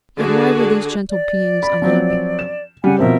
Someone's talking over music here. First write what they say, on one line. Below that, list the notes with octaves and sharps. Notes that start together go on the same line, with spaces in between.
Yet why were these gentle beings unhappy?
D3 F#4 G#4
D5
B5
F3 F#3 C4
E7
C#3 G3 F#5 G#5
B2 F3 C4 A#4 E5